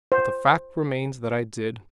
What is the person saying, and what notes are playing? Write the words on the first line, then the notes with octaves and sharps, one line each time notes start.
But the fact remains that I did.
C5